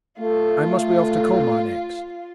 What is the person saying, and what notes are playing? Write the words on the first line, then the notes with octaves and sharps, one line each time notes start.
'I must be off to Colmar next.'
A3 F4